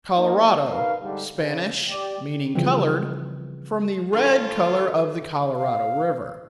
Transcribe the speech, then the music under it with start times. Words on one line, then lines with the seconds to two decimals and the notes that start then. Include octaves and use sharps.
Colorado--Spanish; meaning "colored," from the red color of the Colorado river.
0.17 A#3 D#4
0.70 C3 D#4 A#4 B4 F5
1.01 G#2 D3 G3
1.36 C#3
1.89 G4 D5
2.55 C#3 E3 F3 G3 C4
4.13 D3 C#4 F4 A5
5.56 F5